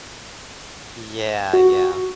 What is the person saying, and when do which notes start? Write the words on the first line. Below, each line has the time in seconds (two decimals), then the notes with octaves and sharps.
Yeah, yeah.
1.53 F#4